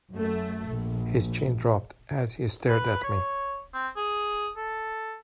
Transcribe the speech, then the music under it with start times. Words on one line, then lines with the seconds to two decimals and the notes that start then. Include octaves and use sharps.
His chin dropped as he stared at me.
0.13 F#2 A3
0.70 A#1
2.68 B4
3.03 C#5
3.74 C4
3.96 G#4
4.56 A4